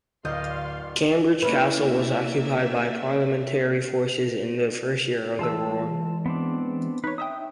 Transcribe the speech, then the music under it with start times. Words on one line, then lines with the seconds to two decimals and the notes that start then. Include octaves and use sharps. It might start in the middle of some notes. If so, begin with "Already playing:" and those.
Cambridge Castle was occupied by Parliamentary forces in the first year of the war.
0.25 D1 D2 D5 D#5 F5 C6 G6
1.42 A#3 C#4 E4 B4 D5 E5
5.39 E3 G#3 F4 A5 E6
6.26 B3 C4 D4
7.04 D#4 B4 C#5
7.18 D#4 E5 G5 D#6